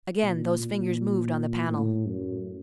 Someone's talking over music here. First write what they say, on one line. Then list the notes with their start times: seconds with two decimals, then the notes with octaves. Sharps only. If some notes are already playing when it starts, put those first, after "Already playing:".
Again those fingers moved on the panel.
0.22 A#2
0.60 A#2
1.68 A2
2.06 F#2